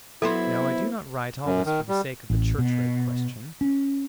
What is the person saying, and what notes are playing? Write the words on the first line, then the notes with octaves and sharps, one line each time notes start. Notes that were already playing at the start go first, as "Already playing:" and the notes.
Now I do not write all this for the sake of the church-rate question.
F#3 B3 E4 A4 C5
F#2
D#3
G3
A1
B2
C#4